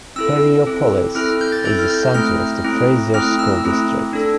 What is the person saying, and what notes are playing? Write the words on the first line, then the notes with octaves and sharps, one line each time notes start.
Perryopolis is the center of the Frazier School District.
C4 E4 A4 E6
C4 E4 A4
C4 E4 A4 F6
G6
A6
C4 E4 A4 G6
F6
G6
A3 C4 E4 F6
A3 C4 E4
A3 C4 E4 F6
E6
A3 C4 E4
D4 A4